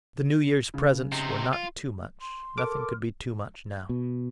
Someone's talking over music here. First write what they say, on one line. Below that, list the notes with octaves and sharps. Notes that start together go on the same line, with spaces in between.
The New Year's presents were not too much; nothing could be too much now.
C#3
C3 D#4
F4
C6
A4 A#4 D6
B2